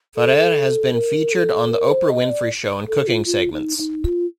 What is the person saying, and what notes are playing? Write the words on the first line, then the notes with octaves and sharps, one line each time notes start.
Ferrare has been featured on The Oprah Winfrey Show in cooking segments.
A4
A#4
A4
A#4
C5
D#5
D5
A4
F4
F4
D#4
D#4
F4